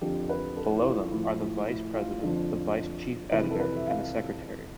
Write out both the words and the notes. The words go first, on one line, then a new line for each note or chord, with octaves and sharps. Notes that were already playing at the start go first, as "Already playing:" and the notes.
Below them are the vice president, the vice chief editor, and the secretary.
F2 D3 F3 G4
B4
A4
E4
F4
A2 F3 E4
E4
E4
F4
F2 D3 F3
F2 C3 E3 B4
A4
B4
E5
F5